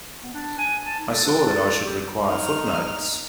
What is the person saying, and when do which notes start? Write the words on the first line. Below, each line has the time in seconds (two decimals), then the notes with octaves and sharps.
I saw that I should require footnotes.
0.23 B3
0.34 D4
0.58 G#5
0.86 A5
0.99 D#4
1.13 A4
1.25 D4
1.46 A4
1.85 G4
2.28 D#4 F6